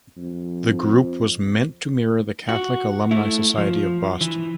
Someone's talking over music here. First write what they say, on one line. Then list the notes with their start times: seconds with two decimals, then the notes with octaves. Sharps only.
The group was meant to mirror the Catholic Alumni Society of Boston.
0.17 F2
2.49 F#4
3.11 A3 E4
3.57 F3
4.21 E3